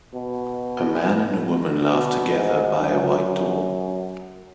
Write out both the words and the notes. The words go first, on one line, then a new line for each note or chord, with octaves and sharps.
A man and a woman laugh together by a white door.
B2
B2
G#2
F#2